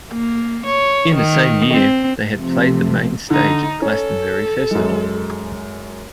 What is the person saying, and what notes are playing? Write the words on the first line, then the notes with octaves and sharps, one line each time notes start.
In the same year they had played the main stage at Glastonbury Festival.
A#3
C#5
D#3
C4
C3 F3 A3
D3 D#4
C#4 A4
F#2 G#3